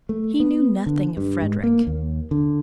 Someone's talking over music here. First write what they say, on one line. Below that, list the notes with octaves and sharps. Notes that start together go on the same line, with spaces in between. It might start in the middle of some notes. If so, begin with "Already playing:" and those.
He knew nothing of Frederick.
A3
B3
D3
G2
G#2
A#3
D#2
D3